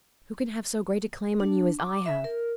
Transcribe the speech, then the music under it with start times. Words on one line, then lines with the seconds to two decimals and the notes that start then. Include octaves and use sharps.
Who can have so great a claim on you as I have?
1.40 D4
1.79 D6
2.06 E5
2.24 A#4